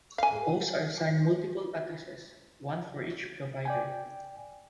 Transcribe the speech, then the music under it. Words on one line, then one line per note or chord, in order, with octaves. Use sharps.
Hosts are assigned multiple addresses, one for each provider.
F5 G#5
D5 G5 G#5